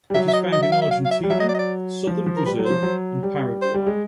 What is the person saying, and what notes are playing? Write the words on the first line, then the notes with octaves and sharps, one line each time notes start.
It is found in Argentina, southern Brazil and Paraguay.
G3
F#3 E5
E5
D#5
D#5
E5
F5
E5
F5
F5
E5
G3
F#3 E5
D#5
D5
D#5
D5
F3
F3
A#4
G3 B4
F#3
C5
F3
F#3
G3
C5
G3
G#3